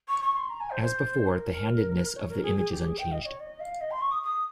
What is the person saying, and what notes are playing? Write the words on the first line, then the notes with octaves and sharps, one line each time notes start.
As before, the handedness of the image is unchanged.
C#6
C#6
C6
A#5
G#5
C5
C5
A#4
C#5
A#4
G#4
G#4
G4
G#4
G5
D#5
C#5
D#5
F5
D#5
C6
C#6
D#6
D#6